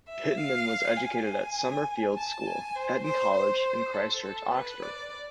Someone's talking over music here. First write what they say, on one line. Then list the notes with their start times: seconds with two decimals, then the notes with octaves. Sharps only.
Pitman was educated at Summer Fields School, Eton College and Christ Church, Oxford.
0.08 E5
0.37 F5
0.97 G#5
2.16 A5
2.46 G#5
2.76 C5
3.04 C5
3.34 C5
3.94 A4
4.23 A4
4.53 B4
4.83 D5